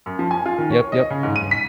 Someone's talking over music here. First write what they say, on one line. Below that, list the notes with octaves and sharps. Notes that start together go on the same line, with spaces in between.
Yep, yep. Have a good one.
F#2
F3
G#5
F4
D#3
C#5
D#5
C#3
G#2
D#7
B6